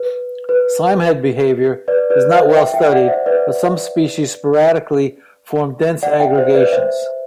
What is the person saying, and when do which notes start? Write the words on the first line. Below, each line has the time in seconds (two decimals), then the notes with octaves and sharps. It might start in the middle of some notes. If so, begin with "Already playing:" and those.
Slimehead behaviour is not well studied, but some species sporadically form dense aggregations.
Already playing: B4
0.49 B4
1.88 B4 D5
2.10 B4 D5
2.33 C5 E5
2.57 E5 G5
2.73 E5 G5
2.92 D5 F#5
3.08 C5 E5
3.26 B4 D5
6.03 D5 F#5
6.20 E5 G5
6.38 C5 E5
6.55 B4 D5
6.72 C5 E5